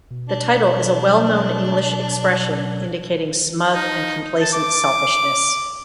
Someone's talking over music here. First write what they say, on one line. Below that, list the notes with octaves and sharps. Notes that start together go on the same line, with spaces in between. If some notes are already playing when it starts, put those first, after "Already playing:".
The title is a well-known English expression indicating smug and complacent selfishness.
B2
D4
F#3
D#4
A5
D6